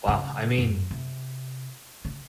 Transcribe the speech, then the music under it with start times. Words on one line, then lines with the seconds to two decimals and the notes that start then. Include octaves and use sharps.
Wow, I mean,
0.08 C#3
0.58 F#2
0.91 C3
2.05 C#3